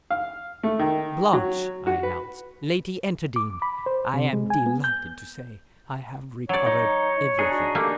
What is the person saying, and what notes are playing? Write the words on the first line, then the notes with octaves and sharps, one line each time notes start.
"Blanche," I announced--"Lady Enterdean--I am delighted to say I have recovered everything."
F5
A3
D#3
F#3
F#4
B4
D6
B5
C5
C3
G#3
G#5
B3
G6
F#3 C#5 D5
D#4
D4 D#4 G#4
F#4
A3 A#3 G4